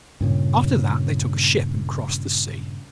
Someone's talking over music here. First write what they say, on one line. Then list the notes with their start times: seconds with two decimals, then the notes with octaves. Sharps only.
After that they took a ship and crossed the sea.
0.21 G2 A#2 C#3